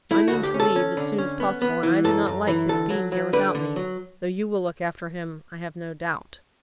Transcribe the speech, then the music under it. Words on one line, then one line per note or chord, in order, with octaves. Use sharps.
I mean to leave as soon as possible, and I do not like his being here without me, though you will look after him, I have no doubt.
A3 E4
D2 F#4
G4
C#4
A4
C#4
D3
C#4
B3
B3
E3
F#2 A4
F#2
E3
D2 A4
F#3
F#3
D3 B4
D3
F#3